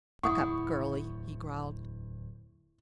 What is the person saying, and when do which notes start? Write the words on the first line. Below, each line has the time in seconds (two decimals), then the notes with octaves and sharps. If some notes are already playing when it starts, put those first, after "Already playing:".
"Buck up, girlie!" he growled.
0.23 D1 E2 E4 F#5 C#6 D#6